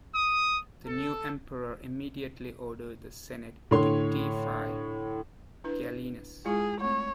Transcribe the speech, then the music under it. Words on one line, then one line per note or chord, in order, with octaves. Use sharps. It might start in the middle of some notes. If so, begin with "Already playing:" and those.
The new Emperor immediately ordered the senate to deify Gallienus.
D#6
A4
A2 D3 C#5 C6
D4 E4 B4
G#3 E4 F4 G#4
A3 C4 C#5